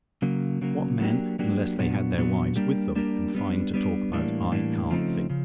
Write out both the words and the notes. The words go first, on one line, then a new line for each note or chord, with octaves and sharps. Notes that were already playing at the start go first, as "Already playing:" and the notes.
What men, unless they had their wives with them, can find to talk about, I can't think.
C#3 F#3 A#3
C#3 F#3 A#3
F#3 A#3 D4 G4
F#3 A#3 D4 G4
A#2 F#3 B3 D4 F#4
A#2 F#3 B3 D4 F#4
G3 A#3 D4 G4 A#4
G3 A#3 D4 G4 A#4
G3 B3 D4
G3 B3 D4
A2 E3 G3 A#3 D4
A2 E3 G3 A#3 D4
C#3 F3 A3 C4 D#4
C#3 F3